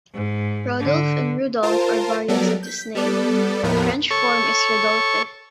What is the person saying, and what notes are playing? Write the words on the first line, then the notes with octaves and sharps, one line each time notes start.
Rodulf and Rudolf are variants of this name; the French form is "Rodolphe".
G#2
D3
F4 A#4 C5 A5
F#3 G3 B3 A4 A#4 D5
G6 B6
G3 B3 A4 D5
D#2 A2 F3 B3 A#4 B5
A4 C#5 C#6